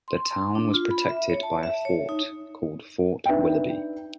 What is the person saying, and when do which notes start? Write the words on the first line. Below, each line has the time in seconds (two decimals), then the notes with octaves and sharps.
The town was protected by a fort, called Fort Willoughby.
0.08 C6
0.31 C6
0.55 D4
0.74 F4
0.91 B5
1.09 E5
1.29 C#5
1.43 A5
1.63 E5
1.85 C#5
2.09 D#4
3.26 D4 D#4 B4 E5 G5